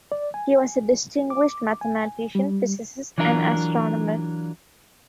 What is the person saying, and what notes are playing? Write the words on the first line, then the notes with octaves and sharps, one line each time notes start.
He was a distinguished mathematician, physicist and astronomer.
D5
G#5
D6
G#5
G3
E3 F#3 D4 F4 A#4